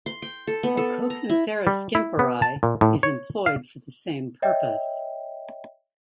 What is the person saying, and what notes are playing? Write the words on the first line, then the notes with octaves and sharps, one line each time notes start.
"Acokanthera schimperi" is employed for the same purpose.
C6
G5
A4
B3
A4
A#5
E4
G3
E4
B3
A5
A#2
A2
C#5
F5
C#5 D#5 E5 G5